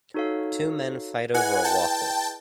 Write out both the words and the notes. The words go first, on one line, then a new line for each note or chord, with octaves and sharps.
Two men fight over a waffle.
D#4 F#4 A4 C#5 F5
E4 G#4 B4 D#5 F#5 G#5
G5 A5